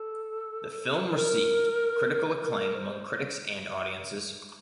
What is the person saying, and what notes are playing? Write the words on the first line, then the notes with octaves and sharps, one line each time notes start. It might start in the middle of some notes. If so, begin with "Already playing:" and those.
The film received critical acclaim among critics and audiences.
Already playing: A4
A#4
A#4
C5